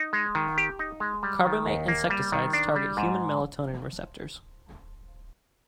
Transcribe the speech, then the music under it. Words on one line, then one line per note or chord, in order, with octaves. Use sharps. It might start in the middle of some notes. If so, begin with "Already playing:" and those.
Carbamate insecticides target human melatonin receptors.
Already playing: D#4
G#3
D#3
G4
D#4
G#3
G3
D#3
D#2
A#3
G3
D#3
D4
G3
G#2